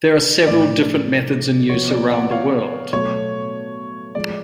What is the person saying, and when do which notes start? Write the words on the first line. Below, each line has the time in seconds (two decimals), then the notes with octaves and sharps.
There are several different methods in use around the world.
0.47 A2 F3 A3 D5
1.69 F3 B3 F#4 C#5
1.91 D5
2.11 D5 F#5
2.31 C#5 F5
2.93 B2 F#3 A3 C#5
4.15 F3 G#3 D5